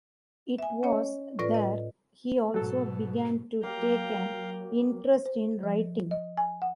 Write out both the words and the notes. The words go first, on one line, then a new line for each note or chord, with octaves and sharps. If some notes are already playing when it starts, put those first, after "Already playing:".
It was there he also began to take an interest in writing.
E5 G#5
C#4 C#5 D#5
A2 F4 B4 D5 A#6
D#5
G#2 B2 F#3 A4
F#3 A#3 G4 F5 G5 A#5
C5
F3
D#5
G#5
F#5